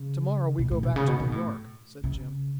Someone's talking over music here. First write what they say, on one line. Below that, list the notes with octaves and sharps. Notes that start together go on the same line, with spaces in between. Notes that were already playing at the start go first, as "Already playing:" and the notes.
"To-morrow we go back to New York," said Jim.
Already playing: C#3
B2
A2
B2
C#3
B2
B2
A2
C#3